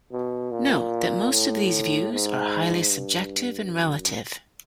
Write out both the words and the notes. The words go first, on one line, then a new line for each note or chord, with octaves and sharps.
Note that most of these views are highly subjective and relative.
B2
A#2
A2
G#2
G2
F#2